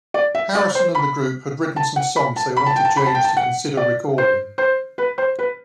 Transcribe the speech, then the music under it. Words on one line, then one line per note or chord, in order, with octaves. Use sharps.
Harrison and the group had written some songs they wanted James to consider recording.
D5
E5
D5
C5
B5
A5
F#5
B5
A5
B5
A5
G5
A5
B5
A5
G5
A5
F#5
D5
C5
C5
B4
C5
B4